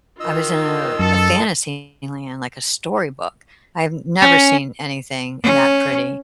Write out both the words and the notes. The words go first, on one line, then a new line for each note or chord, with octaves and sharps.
I was in a a fantasy land, like a storybook. I've never seen anything that pretty,
D#3 F4 D#5 E6
F#2 A4
C#4
C#4